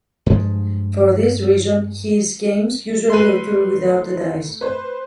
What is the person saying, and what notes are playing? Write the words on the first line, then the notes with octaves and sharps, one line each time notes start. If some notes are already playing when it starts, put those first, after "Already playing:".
For this reason, his games usually occur without a dice.
G2 F3 G#3
A3 B4 C6 D#7
B4 C5